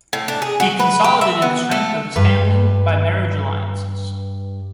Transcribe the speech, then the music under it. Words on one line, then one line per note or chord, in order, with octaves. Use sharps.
He consolidated the strength of his family by marriage alliances.
A2
D4
G#4
F#4
B4
G4
E5
B3
A3
G2 B4